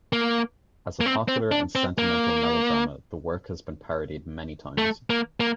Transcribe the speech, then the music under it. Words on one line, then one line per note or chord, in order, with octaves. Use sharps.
As a popular and sentimental melodrama, the work has been parodied many times.
A#3
A#3
C4
C4
D4
C4
A#3
A3
A#3
A#3